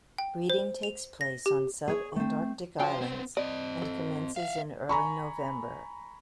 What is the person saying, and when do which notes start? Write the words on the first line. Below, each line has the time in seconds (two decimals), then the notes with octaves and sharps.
Breeding takes place on subantarctic islands and commences in early November.
0.18 G5
0.50 C5
0.83 F7
1.21 A#6
1.46 G4
1.88 G#4 C#5 G#5
2.16 A3 C4
2.79 F#3 D4 F4 C5 G5
3.01 B3 C4
3.37 C4 D5 D#5
3.82 A4
4.36 E5 F5
4.89 G#5 A#5 B5 C#6